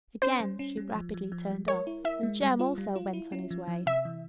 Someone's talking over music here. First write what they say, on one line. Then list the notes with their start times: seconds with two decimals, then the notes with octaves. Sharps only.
Again she rapidly turned off, and Jem also went on his way.
0.22 C#4 C5
0.40 G3
0.59 C#4
0.77 G3
0.95 F3
1.14 F3
1.32 F3
1.50 G#3
1.68 A#4 C#5
1.87 E4
2.05 E4 E5
2.23 G#3
2.41 G3
2.59 F4
2.78 G3
2.96 F4
3.13 E4
3.32 C#4
3.51 F3
3.68 F3
3.86 C3 E5
4.05 E3